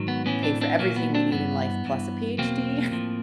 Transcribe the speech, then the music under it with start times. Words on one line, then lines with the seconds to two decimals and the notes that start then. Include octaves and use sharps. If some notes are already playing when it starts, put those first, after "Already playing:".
pay for everything we need in life plus a PhD.
Already playing: G#2 D#3 F#3
0.08 B3
0.26 A2 E3 B3 C#4
0.43 C4 D4
0.61 C4 D4
0.79 A#2 F#3 A#3
0.96 B3
1.15 C4 D4
1.31 G2 E3 B3
1.85 G2 E3
2.38 E2 B2 F#3 A#3 C4
2.91 A2 F3